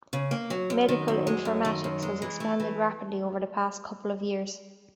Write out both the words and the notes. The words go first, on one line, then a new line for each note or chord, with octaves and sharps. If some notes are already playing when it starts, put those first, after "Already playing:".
Medical informatics has expanded rapidly over the past couple of years.
C#3
A#3
F#3
F#2
D#3
F#2
G#3
F#2
D#3
F#2
G#3
E3
A3
E3